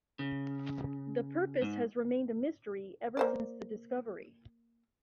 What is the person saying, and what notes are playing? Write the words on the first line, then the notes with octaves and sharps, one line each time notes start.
The purpose has remained a mystery ever since the discovery.
C#3
G#2
A#3 C5 D5